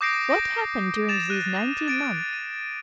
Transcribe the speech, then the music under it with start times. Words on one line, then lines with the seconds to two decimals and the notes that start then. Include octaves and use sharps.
What happened during these nineteen months?
0.01 D6 D#6 G6 A#6 C7 D7
0.30 A#6 D7
1.09 A6 E7 F7
1.30 F#6 D#7
1.88 A6 D7 D#7
2.33 D#7